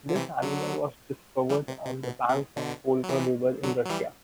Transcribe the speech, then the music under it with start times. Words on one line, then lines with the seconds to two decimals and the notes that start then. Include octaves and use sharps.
This animal was discovered on the banks of the Volga River in Russia.
0.09 D3
0.16 C3 E3
0.42 D3 F#3
1.50 E3 G3
1.68 C3
1.86 C3
2.03 B2
2.30 C3
2.57 B2 D3
3.04 F#3
3.09 C3 E3
3.63 D3 F#3
3.85 F#3
3.90 E3 G3